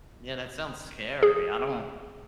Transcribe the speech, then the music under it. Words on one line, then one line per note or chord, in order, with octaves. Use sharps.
Yeah, that sounds scary, I don't
G#4